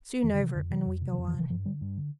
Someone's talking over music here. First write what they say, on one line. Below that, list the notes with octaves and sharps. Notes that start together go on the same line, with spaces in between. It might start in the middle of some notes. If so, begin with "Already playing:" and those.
Soon over and we go on.
F2 E3
D3
C3 E3
F2 D3
C3 E3
F2
C3
E3
F2 F3
E3
C3
E3
G2 F3
D3 G3
G2
D3